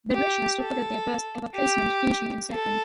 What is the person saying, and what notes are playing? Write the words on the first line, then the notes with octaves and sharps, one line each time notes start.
The Russians recorded their best ever placement, finishing in second.
G4
A4
G4
A4